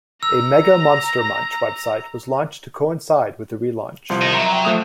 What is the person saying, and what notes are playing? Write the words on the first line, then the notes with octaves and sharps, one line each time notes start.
A Mega Monster Munch website was launched to coincide with the relaunch.
A#5 E6 A#6
C2 F3 C6
A#4 D#5
F#3 E5 A#5
E5 G5
F3 A3 D#6